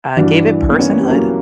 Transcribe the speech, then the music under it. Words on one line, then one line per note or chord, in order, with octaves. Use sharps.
uh, gave it personhood,
G2 E3 D4 F#4
B3
A#3 C#4
G3
F#3 A#3